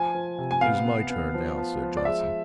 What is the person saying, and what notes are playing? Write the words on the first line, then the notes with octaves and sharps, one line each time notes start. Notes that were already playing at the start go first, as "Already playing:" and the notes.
"It is my turn now," said Johnson.
Already playing: F3 G#5
F3
C3
G#5
B3 F5
B3
B3
F3
F3
F3
D5
G#3 E5